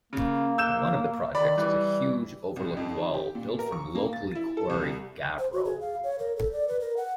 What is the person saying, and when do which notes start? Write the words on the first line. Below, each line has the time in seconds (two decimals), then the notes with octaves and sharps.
One of the projects was a huge overlook wall, built from locally quarried gabbro.
0.13 C#3 A#3
0.58 E6 G6 E7
1.35 D#3 D5 B5
1.58 E3 G3
2.56 C2
2.77 F2
2.98 D#3
3.14 G4
3.35 A#2
3.59 A#4
3.72 C#6
3.95 A#3
4.13 A6
4.35 E4
4.57 A4
4.70 C2
5.39 C5
5.53 F#4
5.65 G#4
5.81 F5
6.03 C#5
6.19 A#4
6.36 A4
6.52 D5
6.68 B4
6.80 A#4
6.97 F#5